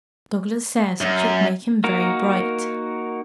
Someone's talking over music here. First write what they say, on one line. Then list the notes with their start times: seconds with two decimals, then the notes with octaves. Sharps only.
Douglas says it should make him very bright.
1.01 F#2
1.84 A#3 D#4 F#4 A#4